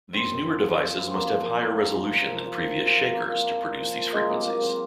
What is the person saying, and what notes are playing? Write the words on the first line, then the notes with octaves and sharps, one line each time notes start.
These newer devices must have higher resolution than previous "shakers" to produce these frequencies.
F#2 C4
F#2
F3
F3
F#2
F#2
C4
F3 A#3
F3
F3
F3
F3
F3
A#2
F3
A#2
F3
F3
F3
A#2 A#3
A#2
F3
A#2
F3
F3
F#3 G#3
C3 A#3
F#3 A#3
F#3 C4